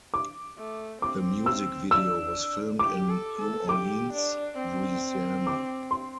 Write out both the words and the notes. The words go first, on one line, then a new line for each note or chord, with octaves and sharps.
The music video was filmed in New Orleans, Louisiana.
D6
A3
C4 D6
E6
D4 E6
G4 D6
A4
A4
G4 D6
D4
C4
D6
C6